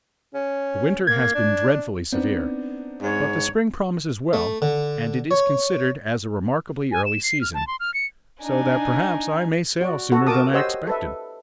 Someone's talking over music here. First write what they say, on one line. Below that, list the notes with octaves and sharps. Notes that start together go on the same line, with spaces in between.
The winter has been dreadfully severe, but the spring promises well, and it is considered as a remarkably early season, so that perhaps I may sail sooner than I expected.
C#4
A#3 G#6
D4
B3 C4 D4 D#4
G#2 C#5
A3
D3
C#5
G#5
E7
C7
F6
A5
C6
F6
C#7
D4 D#4 G#5
F#4 D5
F#4 A4 F#5
F#4 A#4 A5 D6 D#6
G4 C5 C#5 D#5 F#5 E6
A4 B4 E5